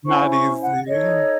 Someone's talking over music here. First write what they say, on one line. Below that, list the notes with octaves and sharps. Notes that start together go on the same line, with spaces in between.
not easy.
C#4 E4 C5 C#6
C#6
F#5
D#4 A4 C#5 D#5